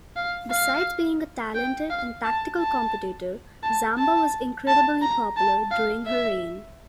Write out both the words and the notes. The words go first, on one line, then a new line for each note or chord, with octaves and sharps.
Besides being a talented and tactical competitor Zamba was incredibly popular during her reign.
F5
F5
G5
F5
A5
A5
A5
A5
A5
A#5
A5
F5
E5